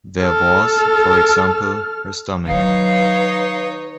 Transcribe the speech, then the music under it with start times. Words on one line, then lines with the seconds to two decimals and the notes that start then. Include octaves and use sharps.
There was, for example, her stomach.
0.23 A4 F6
2.47 D#3 F#3 D#4 B4 C#5 F5